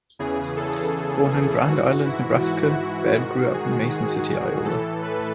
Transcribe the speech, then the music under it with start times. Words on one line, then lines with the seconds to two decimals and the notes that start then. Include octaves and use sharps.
Born in Grand Island, Nebraska, Baird grew up in Mason City, Iowa.
0.19 E2 C#3 E3 G#4
0.56 A4
1.31 G#4
1.68 G#2 E3 F#4
2.05 E4
2.42 F#4
2.79 E4
3.16 G#2 D#3 F#4
3.54 G#4
3.91 G#4
4.65 A2 E3 A4
5.03 B4